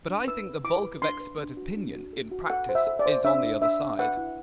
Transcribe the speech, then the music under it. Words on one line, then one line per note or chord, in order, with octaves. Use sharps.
But I think the bulk of expert opinion, in practice, is on the other side.
D4
B4 E6
B4
E4 D6
B4
D4 C6
B4
D4
F#4
D4
F#4
A4
F#4
A4 F#5
C5
E5
A4
D5
C5
D4 E5
D4
D4 E5
D4
B4 F#5
E4